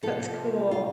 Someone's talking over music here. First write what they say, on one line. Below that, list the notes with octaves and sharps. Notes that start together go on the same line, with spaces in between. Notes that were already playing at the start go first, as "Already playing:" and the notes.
That's cool.
C3 F3 A4
F4